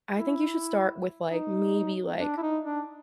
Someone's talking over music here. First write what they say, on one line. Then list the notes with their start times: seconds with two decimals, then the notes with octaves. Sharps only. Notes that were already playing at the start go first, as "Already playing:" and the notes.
I think you should start with like maybe, like,
0.15 E4
1.28 D#4
2.20 D4
2.37 E4
2.42 D#4
2.64 D4